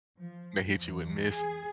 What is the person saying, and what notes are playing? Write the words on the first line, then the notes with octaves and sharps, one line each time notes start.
They hit you and miss.
F3
E2
G#4